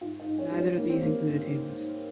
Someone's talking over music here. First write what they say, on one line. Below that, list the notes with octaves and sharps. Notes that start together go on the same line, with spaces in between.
Neither of these included hymns.
G#2 F4
D#4
G#2
C#4
G3
C#4
D#3 A#3
C4
D#3 A#3
G#2